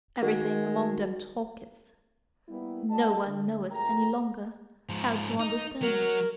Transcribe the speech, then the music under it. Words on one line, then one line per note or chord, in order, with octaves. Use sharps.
Everything among them talketh; no one knoweth any longer how to understand.
D#3 G#3 F#4 A#4
G3 A#3 B3 E4
D4 F#4 D#5 A5
D3
F2 A3 G#4 A#4 G5 A#5
G#2 F3
D#4
F#3 A#4